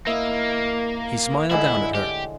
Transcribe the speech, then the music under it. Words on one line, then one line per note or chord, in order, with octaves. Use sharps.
He smiled down at her.
A#3 E4 D#5
A2 D3 G#3 E4
G4